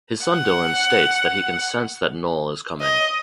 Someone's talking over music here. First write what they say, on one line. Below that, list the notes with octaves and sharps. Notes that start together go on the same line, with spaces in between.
His son Dylan states that he can sense that Knull is coming.
F#5
D#5